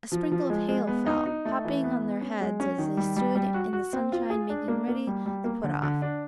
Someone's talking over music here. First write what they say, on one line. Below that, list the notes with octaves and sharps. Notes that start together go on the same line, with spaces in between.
A sprinkle of hail fell, hopping on their heads as they stood in the sunshine making ready to put off.
F3
F3
G#3
G#3
B3
D#4
D#4
A3
E3
B3
B3
C#4
G#3
C#4
D#3
G3
G3
G3
F#4
F#4
C4
F4
G#4
D4
A#3
A#3
G3
G3
A#3
D3
D3
D4